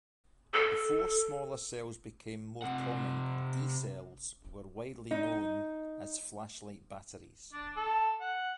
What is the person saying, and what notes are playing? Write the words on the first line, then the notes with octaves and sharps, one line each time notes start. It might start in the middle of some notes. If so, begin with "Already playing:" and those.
Before smaller cells became more common, D cells were widely known as flashlight batteries.
A4
C3 F#5
D#4
D4
A4
F#5